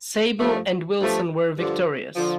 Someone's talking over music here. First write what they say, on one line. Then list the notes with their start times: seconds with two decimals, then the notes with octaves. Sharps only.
Sable and Wilson were victorious.
0.40 G2 F3 A3
0.98 G2 F3 A3
1.57 G2 D3 F3
2.16 D3 F3